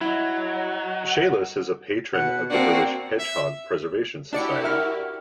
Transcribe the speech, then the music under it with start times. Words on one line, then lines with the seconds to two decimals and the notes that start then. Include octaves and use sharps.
Challis is a patron of the British Hedgehog Preservation Society.
0.01 F#3 E4 D#5
2.13 B2 F#5
2.50 A#3 C4 D4 F#4
3.19 E5
4.33 D4 E4 F#4 G4 D5 C#7
4.63 A#4 E5 F6